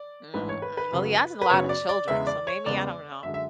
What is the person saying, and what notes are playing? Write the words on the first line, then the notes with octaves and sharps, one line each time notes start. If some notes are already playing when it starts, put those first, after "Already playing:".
Mm, mm, well, he has a lotta children, so maybe I don't know
Already playing: D5
A1 G#2 E3 G#3 D4 B4
C#5
B4
B4
F#2 C#3 F#3 B3
B4
F#2 C#3 F#3 B3 C#5
D5
D5
E2 C#3 G#3 B3 E5
D5
C#5
E2 C#3 G#3 B3 D5
F#2 D3 G#3 E5
E5